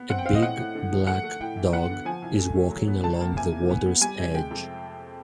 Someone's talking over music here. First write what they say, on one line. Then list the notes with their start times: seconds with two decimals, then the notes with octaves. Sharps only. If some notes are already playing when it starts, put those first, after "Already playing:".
A big, black dog is walking along the water 's edge.
Already playing: B3
0.09 C4 F#5
0.18 G5
0.25 C4 F5
0.35 D#5
0.42 A2 F#5
0.59 A2
0.75 D3
0.92 F3
1.07 A3 F#5
1.23 A3
1.40 A2 G5
1.57 E3
1.72 B3 F#5
1.89 D3
2.05 F3 G#5
2.22 C2
2.38 A3
2.55 A3
2.71 F#3
2.88 B3
3.03 C#2 A5
3.21 A#3
3.37 C3 G#5
3.53 E3
3.69 B3
3.86 B3
4.01 G3 G#5
4.18 C3
4.34 G#3 G5
4.51 F2